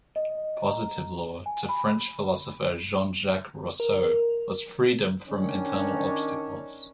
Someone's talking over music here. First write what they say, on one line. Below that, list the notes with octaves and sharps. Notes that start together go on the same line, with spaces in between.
Positive law, to French philosopher Jean-Jacques Rousseau, was freedom from internal obstacles.
D#5
A#5
G#5
B5
A#4
D#3 C#4 D4